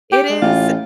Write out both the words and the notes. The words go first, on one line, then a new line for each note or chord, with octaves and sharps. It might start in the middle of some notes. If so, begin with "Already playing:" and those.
It is
G4
G#3
A1 F4